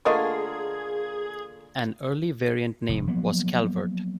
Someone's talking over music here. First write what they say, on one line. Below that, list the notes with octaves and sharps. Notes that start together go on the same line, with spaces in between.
An early variant name was Calvert.
D3 A3 A#3 F4 G#4 D#5 C#6
F1
F3 F#3 A#3 B3